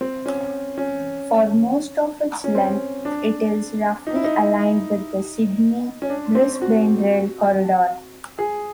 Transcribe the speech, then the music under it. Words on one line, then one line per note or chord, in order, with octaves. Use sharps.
For most of its length it is roughly aligned with the Sydney-Brisbane rail corridor.
C4
C#4
C#4
C#4
C4
D4
D#4
E4
D#4
C#4
D4
C4
F#4
G#4